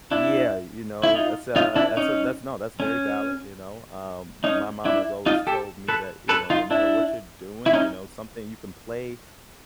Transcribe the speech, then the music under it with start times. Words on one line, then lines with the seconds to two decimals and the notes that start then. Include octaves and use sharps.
Yeah, you know, that's, a that's a that's No, that's very valid, you know. Um, my mom has always told me that, you know, no matter what you're doing, you know, something you can play,
0.11 D4 E4
1.03 E4
1.14 D#4 F4
1.56 D#4 F4
1.76 D4 E4
1.97 C#4 D#4
2.80 C#4
4.44 C#4 D#4
4.85 D4 E4
5.26 D#4 F4
5.47 G4 A4
5.88 A4 B4
6.29 A4 B4
6.50 D#4 F4
6.71 D4 E4
7.66 E4
7.73 C#4 D#4